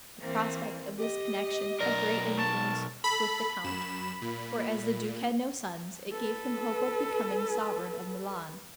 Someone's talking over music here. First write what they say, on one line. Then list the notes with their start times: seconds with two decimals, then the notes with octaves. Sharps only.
The prospect of this connection had great influence with the count, for, as the duke had no sons, it gave him hope of becoming sovereign of Milan.
0.19 E3 A#3 C4
0.98 G4 D#5
1.80 B1 A#4 D5 A#6
2.38 A5 C#6
3.04 A4 B5
3.64 F#2 E7
4.22 A#2
6.12 A4 B4